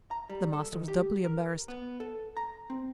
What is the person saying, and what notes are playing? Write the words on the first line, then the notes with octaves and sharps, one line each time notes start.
The master was doubly embarrassed.
A#5
G3
A4
D#3
G4
A#4
B3
A4
A#5
C4